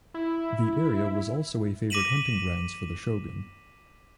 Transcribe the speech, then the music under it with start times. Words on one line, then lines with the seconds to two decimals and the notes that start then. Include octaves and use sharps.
The area was also a favored hunting grounds for the Shogun.
0.14 E4
1.90 D6 A#6 B6 D#7 E7 F#7